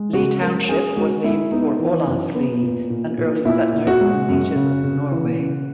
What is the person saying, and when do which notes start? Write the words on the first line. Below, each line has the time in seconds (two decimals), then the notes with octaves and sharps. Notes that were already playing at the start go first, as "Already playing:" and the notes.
Lee Township was named for Olaf Lee, an early settler and native of Norway.
Already playing: G#3
0.13 C#3 F#4
0.41 G#3 A#4
0.69 C#4 G#4
0.96 G#3 F#4
1.24 G#3 E4
1.52 B3 D#4
1.80 E3
2.07 F#2
2.35 B3
2.63 A#2
2.90 A#2
3.18 A#2
3.45 A#2 E4
3.73 A#2
3.87 F#4
4.01 G#3
4.28 F#2
4.56 C#3
4.84 C#3
5.12 E3
5.39 C#3